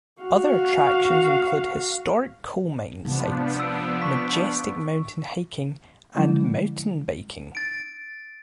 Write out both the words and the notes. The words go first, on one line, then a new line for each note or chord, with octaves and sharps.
Other attractions include historic coal mine sites, majestic mountain hiking and mountain biking.
F#4 F5
C3 F3 G#3 B3 D4
E6 D7
C#6 B6
D3 F3 F#3 G#3 C#4 E4
A6 D7